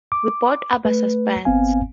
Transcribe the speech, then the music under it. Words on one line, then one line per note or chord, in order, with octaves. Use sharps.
We both abhor suspense.
D6
A3 B4
G1 B3 C4 F5 G#5